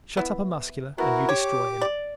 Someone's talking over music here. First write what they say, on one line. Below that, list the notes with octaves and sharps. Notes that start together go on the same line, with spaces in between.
Shut up a Muscular and you destroy him.
B3 E4
B3 E4 F#4 A#4
G4 C#5 D6
D5